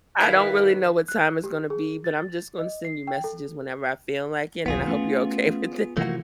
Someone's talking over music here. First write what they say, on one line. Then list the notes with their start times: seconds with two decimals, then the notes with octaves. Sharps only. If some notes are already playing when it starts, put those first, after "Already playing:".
I don't really know what time it's gonna be, but I'm just gonna send you messages whenever I feel like it, and I hope you're okay with that.
0.20 D#3 E4 B4 F5
1.08 F#6
1.44 G4
1.70 G#4
2.04 A6
2.59 D#5
2.85 C7
3.07 G5
3.24 A4
4.66 D#1 B1 E2 B3 F4 G#4
4.87 A3 C#4
5.97 C3 E3 F3 A3 A#3 F#4